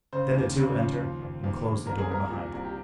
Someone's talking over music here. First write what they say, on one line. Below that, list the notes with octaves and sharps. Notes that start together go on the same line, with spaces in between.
Then the two entered and closed the door behind them.
C#3 C5
D#2
C#3
F3
D#2
D#2
D#2
D#2
C2 A#4
G#4
C2 A#4
A#2
C2
G4